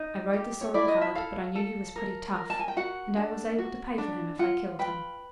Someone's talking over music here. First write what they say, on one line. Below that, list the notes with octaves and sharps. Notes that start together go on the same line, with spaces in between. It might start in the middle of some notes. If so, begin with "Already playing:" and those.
I rode the sorrel hard, but I knew he was pretty tough, and I was able to pay for him if I killed him.
Already playing: D#4
G4
C#5
E4 D5
D#5
E5
A4 F5
A4
A#4
A#4
A5
G#5
G5
F#4 F#5
D4
F#4
D4
F4 F#5
B4 G5